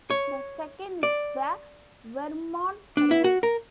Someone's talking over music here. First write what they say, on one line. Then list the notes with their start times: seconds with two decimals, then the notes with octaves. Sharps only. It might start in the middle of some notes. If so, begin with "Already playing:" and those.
The second is the Vermont Rail.
0.10 C#5
1.03 D5
2.97 D4
3.11 E4
3.24 F#4
3.43 A#4